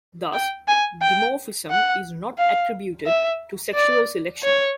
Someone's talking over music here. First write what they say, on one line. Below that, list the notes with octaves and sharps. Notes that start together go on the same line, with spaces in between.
Thus, the dimorphism is not attributed to sexual selection.
G5
G#5
G5
F#5
F5
E5
D5
C#5